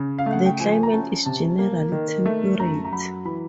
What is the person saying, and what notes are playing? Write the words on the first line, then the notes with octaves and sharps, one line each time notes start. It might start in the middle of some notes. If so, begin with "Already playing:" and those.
The climate is generally temperate.
Already playing: C#3
F5
A3
F#5
G5
F3 G#5
A#5
C#4 A5
C3 A5
A#3
D#3
A3
F#2 A#5
A#5
F#3 B5
E3 B5